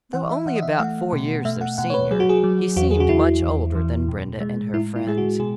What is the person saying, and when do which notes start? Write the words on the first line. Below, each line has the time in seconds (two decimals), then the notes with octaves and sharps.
Though only about four years their senior, he seemed much older than Brenda and her friends.
0.13 E3 F#5
0.31 E5
0.46 E3 F#5
0.56 D#5
0.62 E5
0.80 A3 F#5
1.13 B2
1.45 A3 E5
1.61 F#5
1.78 B2 F#5
1.90 C#5
1.94 B4
2.11 F#3 G#4
2.20 F#4
2.29 G#4
2.44 F#3
2.76 E2 F#4
2.91 G#4
3.00 F#4
3.09 E2 E4
3.43 E2
3.75 E3
4.08 B2
4.40 G#3
4.73 A2 E4
4.96 E4
5.07 G#3 G#4
5.18 F#4
5.39 B2 G#4